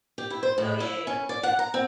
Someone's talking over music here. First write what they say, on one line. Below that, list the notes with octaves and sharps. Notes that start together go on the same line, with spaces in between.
Oh, yeah, yeah, yeah. Yeah.
G4
E4
C5
A2
E4
C#4
D5
F#5
A#5
C4